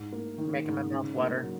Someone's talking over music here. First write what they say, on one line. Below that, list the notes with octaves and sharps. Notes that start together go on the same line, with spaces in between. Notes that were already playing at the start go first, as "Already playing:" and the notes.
Making my mouth water.
Already playing: G#2
A#3
D#3
G#2
C#3
A#3
F#3